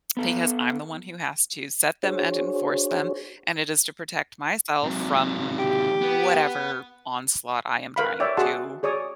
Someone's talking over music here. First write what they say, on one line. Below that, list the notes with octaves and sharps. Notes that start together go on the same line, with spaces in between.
because I'm the one who has to set them and enforce them, and it is to protect myself from whatever onslaught I am trying to
B3 A4
D4 F#4 G#4 C5 C#5
C3 F#3
G4
B3
A#4 B4 F5 B5
C#5 D5 E5 G5
F#4 G#4 F#5 A5 C6
G#4 C#5 D5 D#6